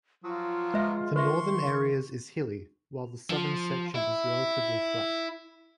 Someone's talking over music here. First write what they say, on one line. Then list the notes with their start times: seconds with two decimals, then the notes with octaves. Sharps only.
The northern areas is hilly, while the southern section is relatively flat.
0.24 F3 F#3 F4
0.74 G#3 B4 E5
1.16 D#3 B4 E5 C6 C#6
3.30 F3
3.95 E4